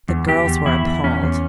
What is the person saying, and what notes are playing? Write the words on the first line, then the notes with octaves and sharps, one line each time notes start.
The girls were appalled.
E2
E2 G4
E2
E2 E4
E2
E2 C#4
E2